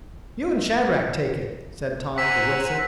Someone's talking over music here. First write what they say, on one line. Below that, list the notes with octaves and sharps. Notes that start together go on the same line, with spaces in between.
"You and Shadrack take it," said Tom to Wilson.
C5 F#5 G#5 A#5 E6 B6